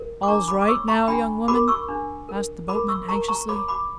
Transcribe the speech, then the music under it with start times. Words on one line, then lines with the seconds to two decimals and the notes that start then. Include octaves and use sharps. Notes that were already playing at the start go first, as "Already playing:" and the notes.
"All's right now, young woman?" asked the boatman, anxiously.
Already playing: A#4
0.23 D6
0.28 D4 A#5 C#6
0.48 B5 D6
0.61 D6
0.68 C#5 C#6 E6
0.88 A#5 C#6
1.08 D4 G5 B5
1.48 A#4 B5 D6
1.68 C#6 E6
1.88 D4
2.29 A#4
2.68 A#4 B5 D6
2.88 C#6 E6
3.09 A#4 A#5 C#6
3.28 A#5 C#6
3.49 C#5 B5 D6
3.68 B5 D6